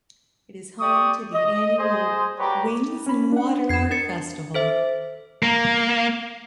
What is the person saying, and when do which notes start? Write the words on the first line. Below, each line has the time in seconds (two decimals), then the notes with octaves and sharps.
It is home to the annual Wings 'n Water art festival.
0.80 G4 D5 C#6 D#6
1.33 D#5
1.79 G#4 C5 D#5
2.38 D4 F#4 G4 B4 C#5 A#5
3.06 C#4 B5
3.32 D4 F#5
3.69 F2 G#6 C7 E7
3.91 D4 A#4 A6 C#7
4.54 A4 C5 E5
5.43 A#3